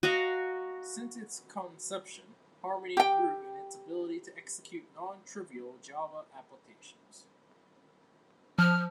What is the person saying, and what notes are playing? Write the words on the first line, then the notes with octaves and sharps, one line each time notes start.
Since its conception, Harmony grew in its ability to execute non-trivial Java applications.
F#4 D#5 F5 A#5
G4 G5
F3 F6